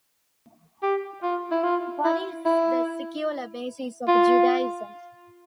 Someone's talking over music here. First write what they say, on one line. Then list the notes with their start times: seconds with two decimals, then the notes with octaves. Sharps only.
What is the secular basis of Judaism?
0.83 G4
1.23 F4
1.51 E4
1.63 F4
2.05 E4
2.45 E4
4.08 F4